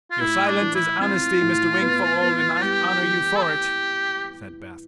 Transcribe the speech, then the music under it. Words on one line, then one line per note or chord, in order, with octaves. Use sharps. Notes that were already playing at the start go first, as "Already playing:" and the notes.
"Your silence is honesty, Mr. Wingfold, and I honour you for it," said Bascombe.
F4
A2 E4
D4
E3
E4
C4 F4
A2
B3
B3
G3 G4
E3
A4
G4